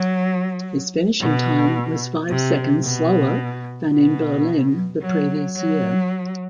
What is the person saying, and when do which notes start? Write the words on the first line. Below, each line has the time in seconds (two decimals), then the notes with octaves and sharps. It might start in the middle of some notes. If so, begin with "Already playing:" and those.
His finishing time was five seconds slower than in Berlin the previous year.
Already playing: F#3
1.21 B2
2.30 C3
2.84 B2
3.92 B2
5.01 F#3
5.56 F#3